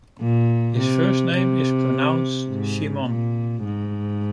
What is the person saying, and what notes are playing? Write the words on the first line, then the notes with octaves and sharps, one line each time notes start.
His first name is pronounced "Shimon".
A#2
C3
C3
G#2
A#2
G#2